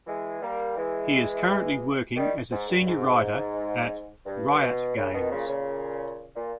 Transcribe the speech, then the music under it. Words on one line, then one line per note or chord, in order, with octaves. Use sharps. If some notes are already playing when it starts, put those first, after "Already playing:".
He is currently working as a Senior Writer at Riot Games.
E3 G#3
G3 A#3
E3 G#3
D#3 G3
G#2
G2
G#2
G2
B2
A#2 C#3
B2 D#3
A#2 C#3
A#2 C#3
A#2